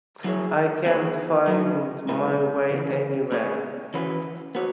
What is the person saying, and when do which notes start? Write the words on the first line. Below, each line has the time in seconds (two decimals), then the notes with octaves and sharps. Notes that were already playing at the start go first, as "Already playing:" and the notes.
I can't find my way anywhere!
0.24 F#3 E4 G#4 C#5
0.86 E3 B3 G#4 C#5
1.47 F#3 E4 B4
2.09 B2 G#3 E4 B4
2.70 C#3 E3 B3
3.32 B3 G#4 C#5
3.94 E3 C#4 F#4 B4
4.55 B3 F#4 C#5